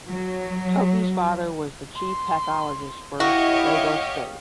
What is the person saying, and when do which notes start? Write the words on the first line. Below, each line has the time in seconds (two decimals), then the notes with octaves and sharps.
Toki’s father was the chief pathologist for Lagos state.
0.10 F#3
1.95 C6
3.20 E4 F#4 G4 C#5 D#5 F5